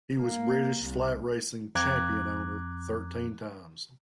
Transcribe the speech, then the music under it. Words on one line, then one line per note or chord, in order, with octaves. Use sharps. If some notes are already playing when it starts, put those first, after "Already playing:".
He was British flat racing Champion Owner thirteen times.
A#3
C2
F2 A#5 D6 F#6 G#6